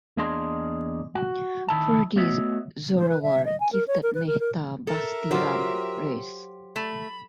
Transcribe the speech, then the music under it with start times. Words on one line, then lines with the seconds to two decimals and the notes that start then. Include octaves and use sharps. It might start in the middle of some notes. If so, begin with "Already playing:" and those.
For this Zorawar gifted Mehta Basti Ram Rs.
0.17 E2 A#3 D4 G#4 D#5 C6
1.15 F#4
1.68 D#3 E4 A5
2.16 A3 B3 F#4 C#5 D#5 E5
2.97 C5
3.09 B4
3.22 E5
3.45 D#5
3.60 G#5
3.72 A#4
3.88 C#5
4.03 A#4
4.15 B4
4.27 A#4
4.40 A#4
4.87 A4 A#4 E5
5.31 F#3 F4 G4 C5
6.76 A3 B5